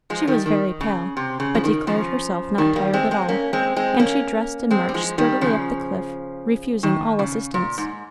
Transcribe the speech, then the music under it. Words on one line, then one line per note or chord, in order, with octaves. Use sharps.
She was very pale, but declared herself not tired at all, and she dressed and marched sturdily up the cliff, refusing all assistance.
F3 G#3
D#3 G3
D#3
C#3
C3
C#3
F3
D#3
C#3 F3
D#3 G3
G3 A#3
G#3 C4
G#3 C4
A#3 C#4
G#3 C4
G#3 C4
A#3 C#4
G#3 C4
G3
F3 G#3
D#3 G3
C#3 F3
D#3
C#3
A#2
G#2